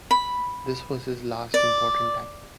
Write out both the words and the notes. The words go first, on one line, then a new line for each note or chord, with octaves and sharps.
This was his last important act.
B5
D5